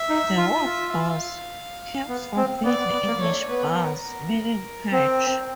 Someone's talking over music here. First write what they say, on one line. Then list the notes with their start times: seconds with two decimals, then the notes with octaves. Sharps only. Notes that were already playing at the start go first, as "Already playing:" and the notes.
The word "bass" comes from Middle English "bars", meaning "perch".
Already playing: E5
0.09 D#4
0.37 F4
0.66 F4
0.94 F5
2.08 B3
2.37 C4
2.65 B3 D5
2.79 B3
2.93 B3
3.07 A#3
3.21 A3 C#5
3.49 B3 B4
3.79 A#4
4.92 C4